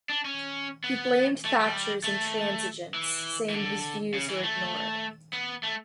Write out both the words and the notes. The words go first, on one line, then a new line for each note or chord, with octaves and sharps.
He blamed Thatcher's intransigence, saying his views were ignored.
D4
C#4
B3
A3
G3
A3
E3
E3
D3
C#3
E3
A3
B3
A3